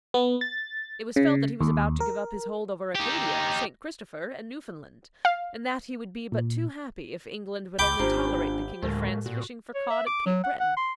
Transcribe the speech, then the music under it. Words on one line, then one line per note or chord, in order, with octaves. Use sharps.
It was felt that he was about to give up his hold over Acadia, St. Christopher, and Newfoundland, and that he would be but too happy if England would only tolerate the King of France fishing for cod at Cape Breton.
B3
A6
C#3
D#2
A#4
D#4 G4
F5
A#2
C#2 G5 B5 D6
G#1 C#4 D4 F4 G4 C5 A#5
D2 A2 G#3 A4 A#4
A#2 F#4
C#5
E5
D6
F#3
F#5
F#5
C6